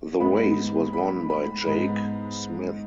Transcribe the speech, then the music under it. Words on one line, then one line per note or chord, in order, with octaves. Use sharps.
The race was won by Jake Smith.
G#2 G#3 B3 B5
B5
B5
G#2 G#3 B3 B5